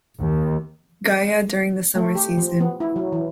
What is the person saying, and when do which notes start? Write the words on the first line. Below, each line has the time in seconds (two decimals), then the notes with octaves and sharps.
Gaya during the summer season.
0.20 D#2
1.95 A3
2.15 G4
2.38 F3
2.60 B3
2.80 E4
2.96 F#3
3.12 E3